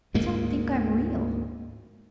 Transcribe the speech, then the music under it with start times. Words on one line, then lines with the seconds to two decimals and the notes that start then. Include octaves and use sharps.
They don't think I'm real.
0.14 D2 G#2 G#3 A#3